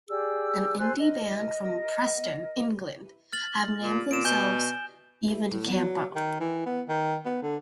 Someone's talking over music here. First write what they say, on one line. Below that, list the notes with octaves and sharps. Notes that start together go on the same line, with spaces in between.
An Indie band from Preston, England have named themselves "Ivan Campo".
G4 G#4 D5 E6
A4 C5 G#5 F#6
A#4 D#5
F6 A6 F#7
A#2
A#2 D7 E7
B2 G#5 G6 G7
A2
F#3
D#3
E3
B3
D#3
B3
D3